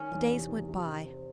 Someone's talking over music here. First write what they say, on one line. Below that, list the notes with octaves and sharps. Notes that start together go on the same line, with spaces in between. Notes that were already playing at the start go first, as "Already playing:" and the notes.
The days went by.
Already playing: D#3 C#4
E2
C3
E2
C3
C3
C4